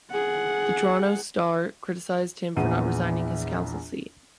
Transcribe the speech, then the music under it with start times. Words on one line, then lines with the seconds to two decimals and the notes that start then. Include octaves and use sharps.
The "Toronto Star" criticized him for not resigning his council seat.
0.11 G#4 F#5
2.56 A#1 E2 F#5 D#7